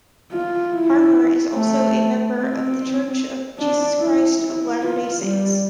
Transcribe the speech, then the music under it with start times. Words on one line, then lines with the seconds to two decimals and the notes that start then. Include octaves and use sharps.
Harmer is also a member of The Church of Jesus Christ of Latter-day Saints.
0.32 F4
0.74 E4
1.55 A3
2.36 C4
3.58 D4
3.99 E4
4.40 E4
4.82 F4
5.22 G3